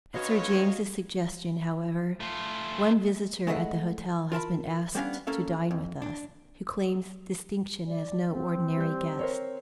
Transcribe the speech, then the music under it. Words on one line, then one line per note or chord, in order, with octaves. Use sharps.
At Sir James's suggestion, however, one visitor at the hotel has been asked to dine with us, who claims distinction as no ordinary guest.
D3 C#4 D#4 F#4 B4 C#5 D#5 F5
A3 F4
G#3 A3 E4 D#5 F5 F#5
F4 A#4 A5 B5
G3 B3 C#4 D4 F5
A#3 C#4 A4 F5
F2
D4
D5
C4
G3 G6
A#4 C5 C#5